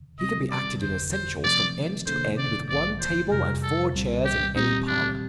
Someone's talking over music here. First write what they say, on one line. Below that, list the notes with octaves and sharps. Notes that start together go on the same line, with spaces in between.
He can be acted in essentials from end to end with one table and four chairs in any parlor.
C3 G3 C4 D#5
D5
G1 F2 D3 C5
C5
C3 F3 A3 C4 D5
C3 D#3 A#3 D4 A4 C5
D5
A1 G2 D3 F3 A#3 D5
C5
F2 C3 G3 A#4
A4
C2 A#2 G3 C4
G4
A#2 G3 C4 D#4 G4
D4